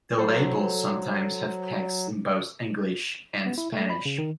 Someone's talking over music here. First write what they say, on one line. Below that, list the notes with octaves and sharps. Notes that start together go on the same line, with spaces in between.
The labels sometimes have text in both English and Spanish.
F#3 A4 C5
B3
E4
A3
B5
C#3
D#3